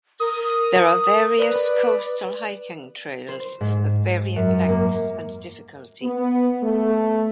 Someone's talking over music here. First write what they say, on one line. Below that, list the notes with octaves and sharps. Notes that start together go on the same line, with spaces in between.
There are various coastal hiking trails of varying lengths and difficulty.
A#4 D#6
B4 D5
C5
G#2
F#2
A#3
B3
A3